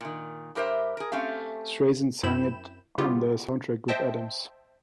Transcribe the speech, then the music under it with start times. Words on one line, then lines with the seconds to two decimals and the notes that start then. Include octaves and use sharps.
Streisand sang it on the soundtrack with Adams.
0.01 A#2 D#3
0.55 G2 G4 A#4 C5 E5
0.97 G#4 A#4
1.12 A3 C4 C#4 G4 F5
2.23 F#2 C4 E4 B5 G6 E7
2.98 C#3 G3 B3 E4 F4 G4
3.88 C5 D#5 E5 G5 A5